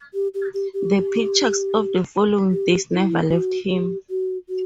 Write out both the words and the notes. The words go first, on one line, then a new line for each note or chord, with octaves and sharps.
The pictures of the following days never left him.
G4
G4
G4
G4
G4
E4
F#4
G4
F#4
F#4